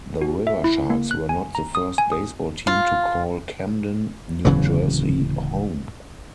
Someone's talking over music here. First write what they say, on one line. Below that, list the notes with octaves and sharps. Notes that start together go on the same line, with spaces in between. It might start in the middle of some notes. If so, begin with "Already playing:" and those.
The Riversharks were not the first baseball team to call Camden, New Jersey home.
F#4
E5
E4
A#3
F#6
G#5
A#5
D#6
G#5
D#6
F4
D1 C#3 E3 F#3